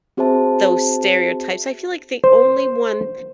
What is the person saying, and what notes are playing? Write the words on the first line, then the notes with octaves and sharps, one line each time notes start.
those stereotypes. I feel like the only one
C4 F#4 G#4 C5 E5 A5
C5